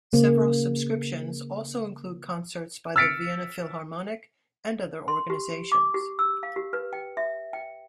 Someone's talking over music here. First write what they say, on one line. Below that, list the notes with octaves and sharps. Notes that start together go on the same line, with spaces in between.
Several subscriptions also include concerts by the Vienna Philharmonic and other organizations.
C#3 A#3
E6 F6 A6 B6 C#7 D7
C6
G4
D6
G4
E6
F5
G4
B4
G5
E5
G5